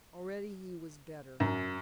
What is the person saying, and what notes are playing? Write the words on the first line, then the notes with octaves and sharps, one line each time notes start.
Already he was better.
F#2